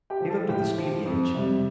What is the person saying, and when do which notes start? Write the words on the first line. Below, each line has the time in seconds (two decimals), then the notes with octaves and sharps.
He looked at the speed gage.
0.10 G4 G5
0.20 F3
0.30 A4 A5
0.49 A2 G4 G5
0.77 F3
1.05 F2
1.35 C3 G3